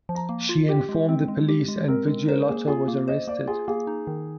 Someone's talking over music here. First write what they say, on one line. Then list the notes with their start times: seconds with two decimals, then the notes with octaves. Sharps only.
She informed the police and Vigliotto was arrested.
0.09 F3
0.15 A#5
0.29 A#3
0.49 F4
0.69 G4 G5
0.89 G#3
1.09 C4
1.28 G#3
1.48 G4
1.68 G#3
1.88 C4 A#4
2.08 G#3
2.28 A#4 C5
2.49 A#3 G#4
2.67 F4 G#4
2.88 A#3
3.08 C5 D#5
3.27 A#3 D5
3.47 F4 G#4
3.68 A#3 G#4
3.87 D#4
4.07 D#3